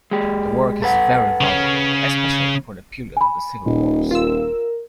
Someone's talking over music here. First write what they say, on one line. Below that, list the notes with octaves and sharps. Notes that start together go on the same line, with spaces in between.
The work is very valuable, especially for the period of the civil wars.
G#3 G4
A4 B4 F#5
C#3 C#4
G#5 B5
D#1 A#2 D#4
F4 A#4 E6